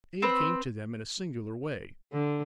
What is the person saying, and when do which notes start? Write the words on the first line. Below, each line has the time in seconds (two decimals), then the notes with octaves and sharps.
Aid came to them in a singular way.
0.22 C4 B4
2.12 D3